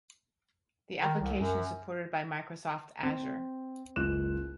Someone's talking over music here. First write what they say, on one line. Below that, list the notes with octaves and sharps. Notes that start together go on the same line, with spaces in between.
The application is supported by Microsoft Azure.
D#3
C2
F#2
C4
F#1 C#2 F#6 E7